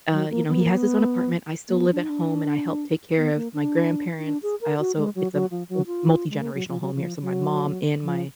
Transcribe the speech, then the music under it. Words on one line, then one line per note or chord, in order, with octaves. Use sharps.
uh, you know, he has his own apartment. I still live at home, and I help take care of my grandparents. I also it's a m multigenerational home here, so my mom and my
F#3
A#3
B3
A#3
B3
A#3
B3
D4
D#4
D4
B3
A#3
D4
D#4
D4
G#4
A#4
F#4
G#3
F#3
F#3
F3
F#3
F4
G#3
A#3
F#3
F3
F#3
F3
F#3
F3